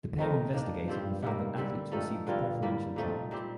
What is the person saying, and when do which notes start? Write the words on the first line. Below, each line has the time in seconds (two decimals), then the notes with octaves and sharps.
The pair investigated and found that athletes received preferential treatment.
0.18 F2 A3 D#4 A#4
0.53 D#3 A#3 D4
0.87 G2 F3 C4 G4 C5
1.22 C3 D#3 G3 A#3
1.57 D3 G3 C4
1.92 G2 F3 A3 D#4 A4
2.27 G2 D3 F3 A#3 F4
2.62 A2 G3 A#3
2.96 F2 A#2 F3 A3 D#4
3.31 A#2 G3 C4 G4